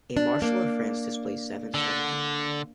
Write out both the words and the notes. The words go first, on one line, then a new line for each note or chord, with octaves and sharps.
A Marshal of France displays seven stars.
D4
A#3 D4
D3